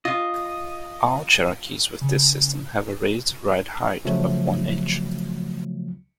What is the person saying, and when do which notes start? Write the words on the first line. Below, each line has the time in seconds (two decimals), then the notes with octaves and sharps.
All Cherokees with this system have a raised ride height of one inch.
0.05 F4 D#5
2.01 C#3
4.05 C#3 F3 F#3 A3